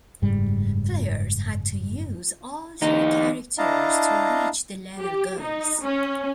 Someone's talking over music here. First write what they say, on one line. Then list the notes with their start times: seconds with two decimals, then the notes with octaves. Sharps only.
Players had to use all three characters to reach the level goals.
0.22 F#1 G#2 G3
2.82 E2 D#4
3.58 D4 E4 D#5 F5 A5 A#5
4.99 G4
5.40 D#4
5.83 C#4